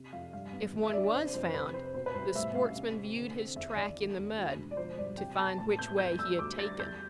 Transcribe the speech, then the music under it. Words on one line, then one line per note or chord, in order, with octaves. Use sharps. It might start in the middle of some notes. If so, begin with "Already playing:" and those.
If one was found, the sportsmen viewed his track in the mud, to find which way he had taken.
Already playing: C3
F2 F5
G2 F5
B3
E3
E5
D4 D5
D5
C3 C5
F2 C5
C3 B4
C4 C5
B2 C5
B4
C2 C5
A2 E5
A1 F5
C3
C4
D3
C4
E2 E5
E3 D5
D3
E2
D2
E1
D5
F3 C5
G2 D5
C3 G5
B3 A5
A2 A5
B3 G6
F2 G6
G3 E6
D2 D6
G3 A6
E2 G6